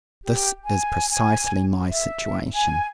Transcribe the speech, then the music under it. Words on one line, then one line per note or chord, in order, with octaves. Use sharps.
This is precisely my situation.
G4
G#5
G#5
E5
G#5